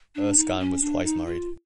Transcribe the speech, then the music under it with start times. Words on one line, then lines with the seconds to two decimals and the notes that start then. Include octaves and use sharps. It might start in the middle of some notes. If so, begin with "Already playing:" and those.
Erskine was twice married.
0.15 D4
0.37 D#4
0.59 C#4
0.81 D4
1.04 D#4
1.26 F4